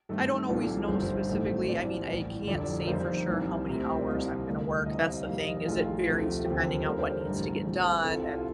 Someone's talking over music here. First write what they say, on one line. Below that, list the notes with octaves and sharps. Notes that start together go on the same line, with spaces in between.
I don't always know specifically. I mean, I can't say for sure how many hours I'm gonna work, that's the thing, is it varies depending on what needs to get done, and,
G2 D#3 A3 C4 A4
C2 A#2 F3 C4
G1 G2 D#3 C5
A1 A2 A3 C4
C2 A#2 F3 C4 D5
A1 A2 G3
F1 F2 D3 F3 D5
A#4
F2 D#3 G3 A#3 C5
C2 A#2 G3 C4
D2 C3 F3 C4
D5
C2 C3 G3 A#3 D#5
D2 D3 G3 A#3
C2 C3 G3 C4 D#5
F5
D#5
F2 D#3 G3 A#3 F5
D#5
A#1 A2 A3 F4
D2 C3 F3 A3
D#2 D3 F3 C4 G4
A#4
F2 D3 G3 A#3 A#4
C5
C5
A1 G2 D3 A3 A4
A#1 A2 F3 C4
C2 C3 G3 C4 A4
F4
F4
F4